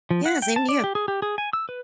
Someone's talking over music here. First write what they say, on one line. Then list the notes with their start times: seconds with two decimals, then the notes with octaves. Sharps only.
Yeah, same to you.
0.11 F3
0.26 F#5
0.42 G5
0.56 A5
0.69 D5
0.84 G4
0.95 G#4
1.08 G4
1.22 G#4
1.38 G#5
1.53 E6
1.69 B4